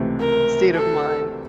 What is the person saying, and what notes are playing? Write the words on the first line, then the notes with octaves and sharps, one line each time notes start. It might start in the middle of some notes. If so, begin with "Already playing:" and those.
state of mind.
Already playing: C#2 C3 E3 A3 C4
A#4
A4